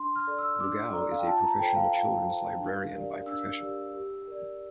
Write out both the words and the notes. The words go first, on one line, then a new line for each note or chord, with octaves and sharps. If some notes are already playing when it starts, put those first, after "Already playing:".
Rogow is a professional children's librarian by profession.
Already playing: D4 C6
F6
A4 D5
E6
D4 D6
A4 D5 A#5
F5
G5
F4 A5
A#5
A4 C5 G5
F5
F4 F5
A4 C5
D4
G4 A#4 D5
D4 E6
G4 A#4 D5
G4
A#4 D5